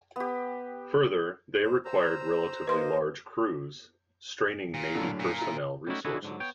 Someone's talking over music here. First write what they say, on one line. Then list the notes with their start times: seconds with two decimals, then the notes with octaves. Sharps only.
Further, they required relatively large crews, straining Navy personnel resources.
0.16 B3 G4
1.63 C5
1.85 C5 A#5 E6
2.67 A#3 B4 C5 D#5 C6
4.74 A#2
4.95 F#2 A2 D3
5.20 A#2
5.38 E4 A#5
5.87 G3 A3 C#4 D#4 E4 F#4
6.05 D#3 D4 E4 F#4 G#4 B4
6.22 G#2 D3 F#3
6.40 B3 C#5 G5